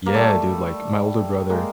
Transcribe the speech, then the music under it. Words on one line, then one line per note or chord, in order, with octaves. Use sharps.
Yeah, dude, like, my older brother
A#3
G3 A3
G#3 A#3